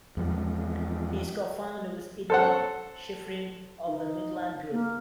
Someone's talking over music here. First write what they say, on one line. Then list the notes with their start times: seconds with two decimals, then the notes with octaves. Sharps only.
He is co-founder with Eduard Shifrin of the Midland Group.
0.17 E2 F3 G#3
2.30 A4 C5 F#5
3.87 D#4
4.72 A#3